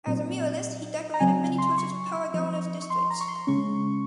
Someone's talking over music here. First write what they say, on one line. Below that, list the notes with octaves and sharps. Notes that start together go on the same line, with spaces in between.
As a muralist he decorated many churches of Tarragona’s districts.
A#2 F#3 C4
A#5
C#3 F#3 C4 G#5
C6
C#6
F3 C4
C#6
C6
A#5
C#6
C6
C#3 G#3 C#4 C#6